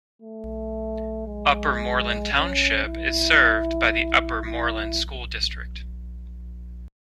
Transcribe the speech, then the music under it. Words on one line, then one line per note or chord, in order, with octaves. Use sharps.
Upper Moreland Township is served by the Upper Moreland School District.
A3
G#3
C#4
E4
E4